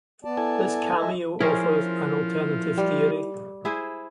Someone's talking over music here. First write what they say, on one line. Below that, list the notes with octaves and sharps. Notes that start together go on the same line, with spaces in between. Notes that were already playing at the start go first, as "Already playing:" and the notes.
This cameo offers an alternative theory.
B3 D5 A5
E4 A4 G#5
D#5 E5
F3 C#4 E4 G#4 A#4 C5
G3
E4 G#4 C5